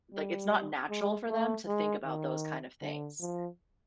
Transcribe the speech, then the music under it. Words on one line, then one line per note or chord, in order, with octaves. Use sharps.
like, it's not natural for them to think about those kind of things,
G3
G#3
A3
G#3
D#3
D3
F3